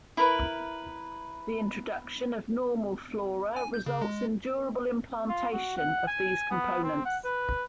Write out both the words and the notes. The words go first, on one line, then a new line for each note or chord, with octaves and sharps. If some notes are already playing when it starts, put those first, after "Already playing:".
The introduction of normal flora results in durable implantation of these components.
E4 A#4 B4
G#5
G6
C#3
G#3
F4
F#4
F#5
G#5
B3
C4
F#5
B4